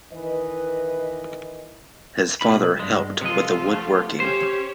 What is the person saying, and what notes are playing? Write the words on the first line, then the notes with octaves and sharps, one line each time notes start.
His father helped with the wood working.
D#3 E3 B4 D#5
B2 F4 B5
G2 G#3
C3 F3 G#3 F4 A4 D#5
A3
C#4 G4 C5 C#5